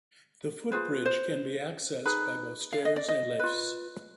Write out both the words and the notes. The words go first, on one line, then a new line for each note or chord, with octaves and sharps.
The footbridge can be accessed by both stairs and lifts.
F4 G#4 B4 C5
C5
D#4 G#4 B4
F5
D#5
D5
D#5
F4 B4